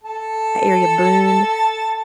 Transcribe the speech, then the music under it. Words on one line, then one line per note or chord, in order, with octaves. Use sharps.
area, Boone,
A4 A5